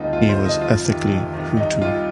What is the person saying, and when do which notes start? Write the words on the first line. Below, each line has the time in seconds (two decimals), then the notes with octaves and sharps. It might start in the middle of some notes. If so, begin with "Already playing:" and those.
He was ethnically Hutu.
Already playing: D2 D3 G3 C4 D#4 F4
0.13 D2 F4
0.29 C5
0.38 D3 G3 C4
0.45 D#5
0.61 F2 F4
0.85 C3 D#3
1.10 F2
1.33 C3 D#3
1.57 C2 D#4
1.81 C3 G3 F4